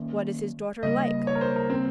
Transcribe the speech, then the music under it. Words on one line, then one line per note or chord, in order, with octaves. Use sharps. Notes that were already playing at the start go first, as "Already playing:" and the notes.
"What is his daughter like?"
Already playing: D#3 A#3 C#4
C#3 G3 A#3 D#5
C#5
A#4
C5
A#4
C4